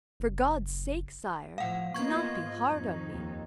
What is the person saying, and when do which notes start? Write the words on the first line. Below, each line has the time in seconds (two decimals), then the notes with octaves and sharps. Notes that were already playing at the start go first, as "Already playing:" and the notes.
For God's sake, sire, do not be hard on me!
0.20 F#1
1.58 A2 F3 F5 F#5
1.94 A#3 B3 F4 D#5 C#6 G#6
2.34 G#2
2.67 F2 D#4
3.11 D#2